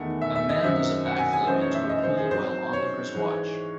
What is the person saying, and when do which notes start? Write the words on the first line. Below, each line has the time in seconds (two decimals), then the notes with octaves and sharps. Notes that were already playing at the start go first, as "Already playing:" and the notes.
A man does a back flip into a pool while onlookers watch.
Already playing: E2 D#3 A3 D#4 F#5
0.21 E5
0.36 E5
0.49 D#5
0.64 F#2 D#3 F#3 C4 D#4 E5
1.06 F#5
1.19 G#5
1.33 G#5
1.47 F#2 E3 A3 D#4 C5
1.61 C#5
1.75 E5
1.90 D#5
2.03 C5
2.17 G#4
2.31 G#2 F#3 C4 C5
2.73 C#5
3.14 G#2 E3 G#3